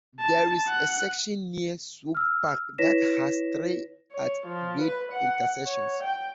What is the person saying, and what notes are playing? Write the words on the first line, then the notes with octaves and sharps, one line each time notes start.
There is a section near Swope Park that has three at-grade intersections.
A5
F#5
E6 F6
E4 B4 C#5 A#6 B6 E7
C#5
F3
B4
F#5
C#5
G5